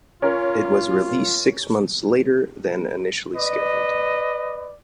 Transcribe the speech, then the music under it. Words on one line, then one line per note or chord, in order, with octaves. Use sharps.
It was released six months later than initially scheduled.
C#4 F4 A#4
B4 D5 D#5